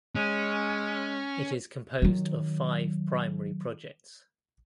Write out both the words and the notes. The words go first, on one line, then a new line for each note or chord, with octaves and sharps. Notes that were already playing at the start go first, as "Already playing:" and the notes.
It is composed of five primary projects.
G#3 C#4
D#3 F#3